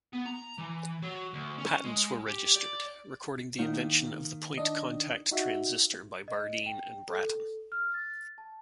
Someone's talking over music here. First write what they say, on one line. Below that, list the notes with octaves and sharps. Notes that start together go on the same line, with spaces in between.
Patents were registered, recording the invention of the point-contact transistor by Bardeen and Brattain.
B3
A#5
E3
F#3
D2
C#4
G#3
G4
D5
D#3 A#3 D#4
D4 D#5
D#4 F#4 E5
D#5
G5
A4
F6
A6
A5